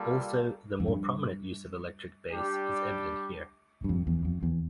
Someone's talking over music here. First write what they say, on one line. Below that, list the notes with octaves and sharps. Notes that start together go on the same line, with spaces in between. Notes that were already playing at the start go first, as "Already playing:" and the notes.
Also, the more prominent use of electric bass is evident here.
Already playing: G3 A#3 F4 A4
F2
G2
G3 D4 G4
G2
F2
E2
F2
E2